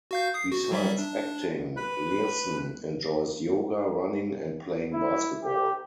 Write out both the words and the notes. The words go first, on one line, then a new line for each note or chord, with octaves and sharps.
Besides acting, Leerhsen enjoys yoga, running, and playing basketball.
F#4 F5 G6
D#6 C7
F#4
F#3 G3 E5
D4
B4
E4
G4